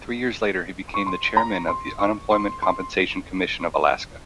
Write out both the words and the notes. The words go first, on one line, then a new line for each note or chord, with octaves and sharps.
Three years later he became the chairman of the Unemployment Compensation Commission of Alaska.
C#6
C6
A#5
C6
C#6
C6
C6